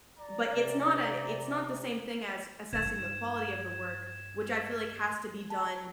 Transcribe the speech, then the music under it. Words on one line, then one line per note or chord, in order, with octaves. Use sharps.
but it's not a it's not the same thing as assessing the quality of the work, which I feel like has to be done
D5 A#5
C3
G2 D#4 G#6 E7
A5